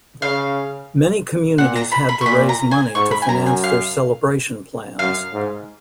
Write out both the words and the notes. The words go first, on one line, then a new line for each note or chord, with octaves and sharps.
Many communities had to raise money to finance their celebration plans.
C#3 F5
A#2 F#5
A#5
B5
B5
C#6
A#2 B5
A#5
G#5
G#2 C#6
B5
G#5
F#2 A#5
G#5
F5
F#2 F5
G#2